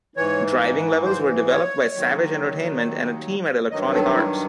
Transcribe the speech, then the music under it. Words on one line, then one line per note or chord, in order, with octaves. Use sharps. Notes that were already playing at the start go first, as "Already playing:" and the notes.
Driving levels were developed by Savage Entertainment and a team at Electronic Arts.
G#2 E3 C#5
C5
C#5
D#2 D#3 F#3
G2 D#3 F#3 D#5
A4
E4